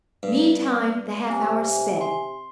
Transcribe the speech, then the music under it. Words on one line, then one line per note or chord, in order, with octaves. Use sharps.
Meantime, the half-hour sped.
G2
C3 C4 G#5
C6